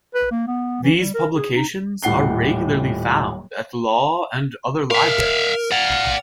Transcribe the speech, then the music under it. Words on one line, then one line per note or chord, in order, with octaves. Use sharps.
These publications are regularly found at law and other libraries.
B4
A#3
B3
E3
G3
A#4
G#4
D#4
D#1 A2 F#5 C7 G7
A#4 E5 F5
D5 F5 F#5